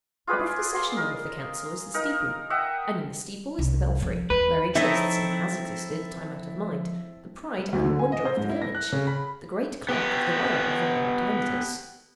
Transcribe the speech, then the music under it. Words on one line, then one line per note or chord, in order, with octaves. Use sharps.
Above the session-room of the Council is the steeple, and in the steeple is the belfry, where exists, and has existed time out of mind, the pride and wonder of the village--the great clock of the borough of Vondervotteimittiss.
F4 G#4 B4 D5
C6
A#4 D#5
D#4 A#4
D#5 E5 F#5 G5
C2
F3
E2 B4
F3 C4 D#4 E4 A4 C#5 D#5 E5
G3
D2
D3
G#5
D#5
C5
G#2
E4
A#6
F#6
C#3
B5
B3 G4